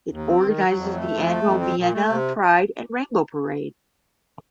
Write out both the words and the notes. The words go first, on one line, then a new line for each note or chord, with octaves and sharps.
It organises the annual Vienna Pride and Rainbow Parade.
D#2
C4
D#3
F#3
F2
A3
F2
A3
F2
C4
A#2
A3
C3